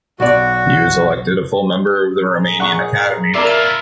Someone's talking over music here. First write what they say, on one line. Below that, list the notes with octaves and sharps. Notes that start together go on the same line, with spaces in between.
He was elected a full member of the Romanian Academy.
B1 F#4 D5
A#1 G#4 A#5
F#5 C#6
E4 F4 A#4 D5 E5